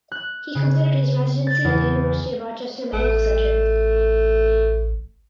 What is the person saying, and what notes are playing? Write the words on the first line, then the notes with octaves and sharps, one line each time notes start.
He completed his residency at the University of Rochester Medical Center.
F#6
C#3
A6
E2
A1 A3